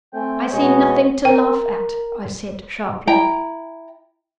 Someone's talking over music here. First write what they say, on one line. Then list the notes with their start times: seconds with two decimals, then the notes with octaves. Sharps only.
"I see nothing to laugh at," I said, sharply.
0.14 A3 C4 G5 G#5
0.51 B2 G#3 C#5 D#5
1.25 A#4 G5
3.07 E4 G5 A#5